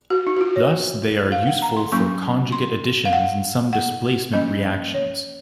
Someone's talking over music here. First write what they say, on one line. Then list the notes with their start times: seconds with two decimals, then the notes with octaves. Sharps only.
Thus they are useful for conjugate additions and some displacement reactions.
0.10 F#4
0.27 D#4
0.37 F#4
0.41 F4
0.56 C#5
1.32 F5
1.47 F#5
1.62 A#5
1.77 C6
1.92 F#3 A#3 C#4 C#6
2.52 C6
3.05 F5
3.13 F#5
3.73 F#5
4.33 F3 A#3 C#4 D#5
4.94 C#5